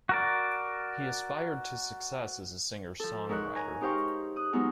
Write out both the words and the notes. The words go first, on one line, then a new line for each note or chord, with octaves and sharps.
He aspired to success as a singer-songwriter.
F#4 A#4 D5
F3 A4
G#2 A#4 C#5 F#6
G#5 A#5
D#4 G4 C5 F5 G5 C#6
D#6 F#6
F#3 G#3 B3 D#4 F4 G#4